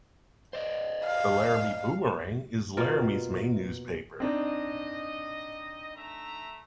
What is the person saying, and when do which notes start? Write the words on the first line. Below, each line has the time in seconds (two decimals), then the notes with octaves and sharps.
The "Laramie Boomerang" is Laramie's main newspaper.
0.53 C5 D5 D#5
1.05 F5
2.77 B2 A#3 F4
4.20 C4 D4 D#4 D#5
5.96 A3 E5 A#5